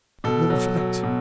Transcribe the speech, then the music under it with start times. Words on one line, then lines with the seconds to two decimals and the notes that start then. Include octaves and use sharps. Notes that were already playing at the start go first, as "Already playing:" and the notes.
"What little fact?"
0.24 B2 A4
0.50 F#3
0.77 F#3
1.03 B2